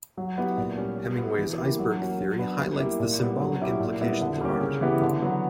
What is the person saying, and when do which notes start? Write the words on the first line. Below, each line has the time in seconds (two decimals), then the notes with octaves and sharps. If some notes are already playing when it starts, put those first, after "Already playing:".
Hemingway's iceberg theory highlights the symbolic implications of art.
0.17 F#3
0.38 B3 E4 G4
0.58 A#2
0.77 G3 C#4
0.98 G3
1.18 B3 F#4
1.38 E3
1.58 A#3 E4 G4
1.79 F#3
1.99 A#3 C#4 F#4
2.19 F#3
2.39 B3 D4
2.59 G3
2.80 A#3 E4 G4
3.00 A#2
3.19 G3 B3
3.40 F#3
3.60 C#4 E4 G4
3.80 A#2
4.00 G3 B3 E4
4.21 D3
4.41 G3 A#3 C#4 G4
4.61 C#3
4.81 E3 B3 E4 G4
5.02 D3
5.22 F#3 B3